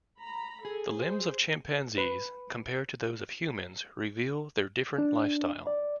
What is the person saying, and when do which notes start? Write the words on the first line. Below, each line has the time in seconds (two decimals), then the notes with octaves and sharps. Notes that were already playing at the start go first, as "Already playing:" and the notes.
The limbs of chimpanzees, compared to those of humans, reveal their different lifestyle.
0.18 A#5 B5
0.65 G#4 A4
1.00 C5
1.98 B4
4.98 D4
5.67 D5